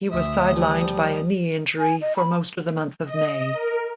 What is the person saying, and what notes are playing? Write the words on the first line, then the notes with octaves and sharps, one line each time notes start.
He was sidelined by a knee injury for most of the month of May.
D2 E5 D#6
F3 G3
G#5
D#5
B5
D#5
A#4